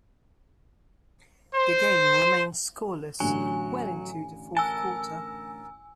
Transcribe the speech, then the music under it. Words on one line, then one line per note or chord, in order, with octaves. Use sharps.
The game remained scoreless well into the fourth quarter.
C5
A1 D3 F#3 G#5
A#4 G#5 A5 E6